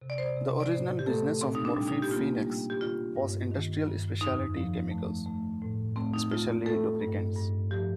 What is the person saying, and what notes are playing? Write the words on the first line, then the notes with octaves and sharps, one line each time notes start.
The original business of Murphy-Phoenix was Industrial Specialty Chemicals, especially lubricants.
C3
D5
C5
D5
C3
D5
A2 C5
G4
A3 A4
A#2 C4
D#4
D4
G3
D#4
G4
A#3 F4
G3
G4
D3 F4
G2
D#3
G2
F2 D#4
F3
A3
A3
A2
A3 C4
D#4
A3 F4
A3 A4
G2
G2
F3 G4